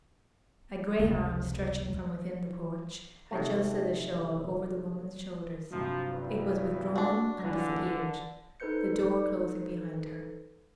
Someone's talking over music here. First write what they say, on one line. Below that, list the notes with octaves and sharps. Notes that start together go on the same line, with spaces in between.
A gray arm, stretching from within the porch, adjusted the shawl over the woman's shoulders; it was withdrawn and disappeared, the door closing behind her.
F1 C#2
G#2 C3 A3
G2 C3 F3 F#3
E2 C#3 E3
D4 F#4
D3 E3 F4 F#6
D#4 A4 B4 C5 G6 C#7